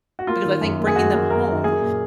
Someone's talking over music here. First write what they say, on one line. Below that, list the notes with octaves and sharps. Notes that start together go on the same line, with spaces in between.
Because I think bringing them home
F#4
A#3 F4
D#3
F#2
A#3
G#4
F#2 F#4
A#3
F#2 A#4
F#2
A#3 G#4
A#2